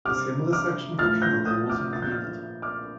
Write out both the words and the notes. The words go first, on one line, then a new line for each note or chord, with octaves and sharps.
A similar section for Canada was included.
C3 G3 D6 F6
D6 F6
A2 F3 F6 A6
G6 A#6
D#6 G6
D6 F6
A#2 F3 A6
G6
F6 A6
D6 F6